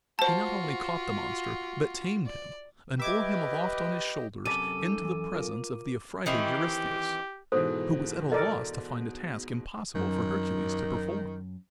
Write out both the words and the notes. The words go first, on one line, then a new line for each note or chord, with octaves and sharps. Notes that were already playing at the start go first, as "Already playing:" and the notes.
He not only caught the monster, but tamed him, and bore him aloft on his shoulders, into the presence of the affrighted Eurystheus, who was at a loss to find a task impossible for Hercules to perform.
F4 F#4 C5 A5
D5
G4 B4 D#5 E5 D6 G#6
F#2 C3 A4 D5 B5 D6 D#7
D#4
E3
F4 A#4
D#3 E3 C4 G4
G#2 B2 E3 A4 C5
A4 A#4 D5 D#5
F#2 D#3